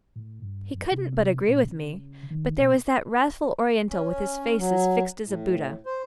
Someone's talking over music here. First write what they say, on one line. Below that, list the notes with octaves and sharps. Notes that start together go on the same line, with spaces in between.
He couldn't but agree with me, but there was that wrathful Oriental with his face as fixed as a Buddha.
A2
G2
F#2
C3
A#2
C#3
D#3
B2
C#4
F#3
A2
C5